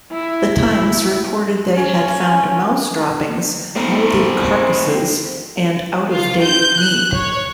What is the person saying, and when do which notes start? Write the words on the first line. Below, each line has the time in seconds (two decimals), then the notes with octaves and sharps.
"The Times" reported they had found mouse droppings, mouldy carcasses and out-of-date meat.
0.12 E4
1.73 C#4
3.76 A3 B3 C4 A#4
4.46 C5
6.10 F4
6.42 G6
6.79 F#6
7.14 C#5